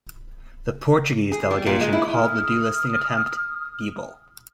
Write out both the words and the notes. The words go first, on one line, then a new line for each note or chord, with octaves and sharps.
The Portuguese delegation called the delisting attempt "feeble".
G#4
G3
A#2
G#3
E4
D#6 F6